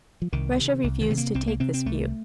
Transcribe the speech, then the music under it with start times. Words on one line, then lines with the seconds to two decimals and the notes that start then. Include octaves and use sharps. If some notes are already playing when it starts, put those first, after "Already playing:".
Russia refused to take this view.
0.22 F3
0.33 C2 D#3
0.58 C3
0.84 C2
1.01 D#3
1.09 C3 A3
1.18 A#3
1.35 C2 C4
1.48 A#3
1.60 C3 C4
1.74 C4
1.86 C2 A3